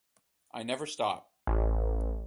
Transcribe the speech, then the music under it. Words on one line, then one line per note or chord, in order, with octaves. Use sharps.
I never stop.
A1